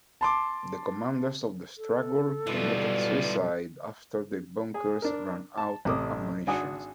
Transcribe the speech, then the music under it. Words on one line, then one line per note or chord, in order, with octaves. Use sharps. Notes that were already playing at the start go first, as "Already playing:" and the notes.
The commanders of the struggle committed suicide after their bunkers ran out of ammunition.
A5 C6 D6
A4
B2 E3 G3 D4 F4
G#4
D4 A#4
A5
A1 C3 D6 D#6
G#1 D4 F#4 F#5 G#5 D#6